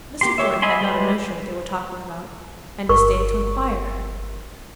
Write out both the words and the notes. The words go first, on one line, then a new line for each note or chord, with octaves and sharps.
Mr. Thornton had not a notion what they were talking about, and disdained to inquire.
A#3 G4 C6
G4 C#5 E5
D#5 E5 G#5 B5 C6
G3 G#3 B4 B5 G6
G1 A#4 C#6